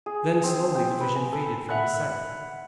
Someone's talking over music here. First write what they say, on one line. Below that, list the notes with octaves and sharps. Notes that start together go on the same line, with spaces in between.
Then slowly the vision faded from his sight.
G#4
C4
G5
B4
G#5
A4
E5 F#5 B5 F#6